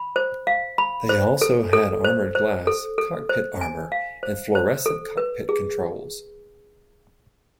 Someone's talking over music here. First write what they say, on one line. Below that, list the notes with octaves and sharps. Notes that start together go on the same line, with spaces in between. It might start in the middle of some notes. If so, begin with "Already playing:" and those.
They also had armored glass, cockpit armor and fluorescent cockpit controls.
Already playing: B5
C5
F5
B5
C5
A4
A4
C5
C5
A4
A4
C5
G#5
F5
C5
C5
A4
B4
G#4